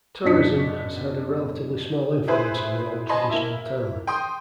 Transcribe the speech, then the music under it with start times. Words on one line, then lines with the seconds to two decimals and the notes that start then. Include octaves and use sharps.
Tourism has had a relatively small influence on the old traditional town.
0.24 F#2 B2 D4 D5 B6 C#7
2.28 E4 G#4 B4 C5
3.09 D#5 G#5 A5 B5 C6
3.29 A#3 E4
4.07 G5 C6 D#6